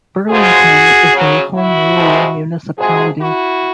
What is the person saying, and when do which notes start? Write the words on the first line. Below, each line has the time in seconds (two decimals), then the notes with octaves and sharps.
Burlington is a Home Rule Municipality.
0.30 C#3 F3 G#3 F#4 G#4
1.13 C#3 F#3
1.53 E4 F#4
1.95 C3 F3 G#3
2.77 C3 F3 G#3 F#4 G#4
3.19 E4 F#4